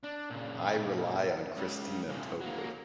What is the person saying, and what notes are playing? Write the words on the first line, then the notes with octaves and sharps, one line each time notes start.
I rely on Kristina totally.
D4
A#2 C#3
C#2 C#3
C2 A#2
F#3 A#3